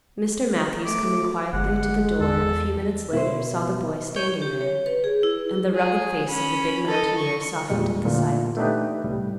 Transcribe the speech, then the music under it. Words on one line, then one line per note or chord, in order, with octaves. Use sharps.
Mr. Matthews coming quietly to the door a few minutes later saw the boy standing there, and the rugged face of the big mountaineer softened at the sight.
A3 D6
G1 G#3 F#5
E2 A4
B2 E4 C5
C#5 G6
G4
C#5
B4
G#4
E4
G#4
C#4 B5
A4 D#5
C#6
E2 A#2 G3 G#3
A#2 D3 E3 A3
A3 B3 D4 D#4 G4 B4
C2 A2 G3